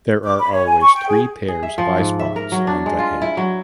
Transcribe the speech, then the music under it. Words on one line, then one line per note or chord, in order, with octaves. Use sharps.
There are always three pairs of eyespots on the head.
D6
B5
C#5
G#5
C#6
G5
G#4
G#4
E5
F3
G#2
E5
A#4
F#3
D4
G#3
F4
E4
F#3